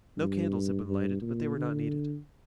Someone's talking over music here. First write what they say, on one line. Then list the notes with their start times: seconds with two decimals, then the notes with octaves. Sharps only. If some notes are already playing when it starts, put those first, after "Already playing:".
No candles had been lighted, but they were not needed.
0.18 G2
0.87 G2
1.22 A#2
1.56 D3